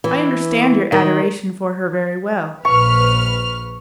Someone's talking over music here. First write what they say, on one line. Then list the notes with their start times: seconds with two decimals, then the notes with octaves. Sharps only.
I understand your adoration for her very well.
0.04 E3
0.92 D#3
2.65 A#1 B4 C#6 F6